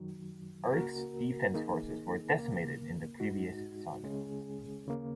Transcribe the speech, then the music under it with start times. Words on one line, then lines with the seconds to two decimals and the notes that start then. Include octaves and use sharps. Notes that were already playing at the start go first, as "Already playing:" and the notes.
Earth's Defense Forces were decimated in the previous saga.
Already playing: F#2 D#3 F#3
0.71 C#2 C#3 A#3 F#4 A#4
1.53 D#3 A#3 D#4 G#4
2.37 D#2 C#3 A#3
3.20 G#2 G#3 D#4 F#4
4.03 C#2 C#3 G#3 C#4 G#4
4.86 D#2 C#3 A#3